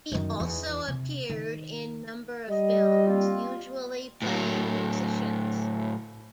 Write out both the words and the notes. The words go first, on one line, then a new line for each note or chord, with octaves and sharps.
He also appeared in number of films, usually playing musicians.
F#2 D#3
E2
C3
D#3
G3 D#5
A#3 C4 F4
A2 F#3